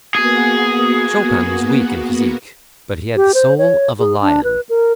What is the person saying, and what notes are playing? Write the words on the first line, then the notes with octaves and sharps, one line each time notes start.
Chopin was weak in physique, but he had the soul of a lion.
A#3 B3 F#4 G#4
G4
C5
C#5
G#4
D4
B4
A#4